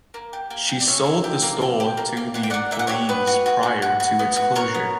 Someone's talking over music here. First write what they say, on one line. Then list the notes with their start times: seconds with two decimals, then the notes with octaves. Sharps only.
She sold the store to the employees prior to its closure.
0.14 A#3
0.33 G4
0.50 A#3
0.69 G4
0.80 D5
0.87 C#4 C#5 E5
1.06 A#3
1.24 G4
1.42 A#3
1.61 A#3
1.80 G4
1.97 A#3
2.17 A#3
2.34 A#3 F#5
2.43 G5
2.50 A#3 D5 F#5
2.71 A#3 E5
2.79 F#5
2.87 G4 C#5 E5
3.09 B3 B4
3.27 F#4
3.46 F#4
3.63 F#4
3.82 F#4
4.00 F#4
4.19 B3
4.36 F#4
4.55 F#4 A#4 C#5
4.74 B3